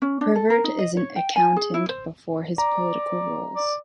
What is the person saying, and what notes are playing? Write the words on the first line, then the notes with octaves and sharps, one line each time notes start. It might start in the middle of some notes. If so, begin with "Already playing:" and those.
Privert is an accountant before his political roles.
C#4
D4
A4
A#4
D#4
D#5
C#5
G5
G#5
G#4
E4
C5
D5 A#5
D5